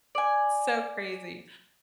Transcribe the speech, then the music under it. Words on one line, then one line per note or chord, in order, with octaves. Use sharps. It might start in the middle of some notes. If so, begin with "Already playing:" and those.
It's so crazy.
D5 G#5